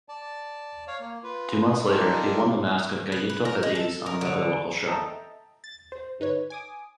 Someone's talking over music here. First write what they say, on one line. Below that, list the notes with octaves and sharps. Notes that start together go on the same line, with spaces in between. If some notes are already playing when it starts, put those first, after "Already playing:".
Two months later he won the mask of Gallito Feliz on another local show.
D5 A5
C#5 F5
A#3
F4 B4
D#4 F4 G4 A4 A#4 D5
B4
B4
A#4
G#3
A4
A#4
D3
A4 D#5 E5 G5 A5 A#5
A6
C5
G1 D#4 B4 C#5
G#5 D6 D#6